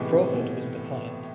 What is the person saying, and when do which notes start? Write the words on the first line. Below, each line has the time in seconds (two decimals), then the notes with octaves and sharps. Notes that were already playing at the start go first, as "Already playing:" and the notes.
Crawford was defiant.
Already playing: A2 C3 E3 G#3 B3
0.11 C3
0.34 B2